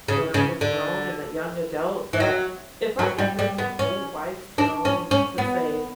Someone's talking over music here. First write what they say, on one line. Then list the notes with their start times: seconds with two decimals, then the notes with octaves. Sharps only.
when I was grown, and a young adult, that if I had heard some old wives' tales to say,
0.08 C#3
0.34 C#3
0.61 D3
2.13 E3
2.20 F#3
2.99 F#3
3.18 G3
3.39 G3
3.58 B3
3.79 C#4
4.58 D4
4.85 C#4
5.11 C#4
5.38 B3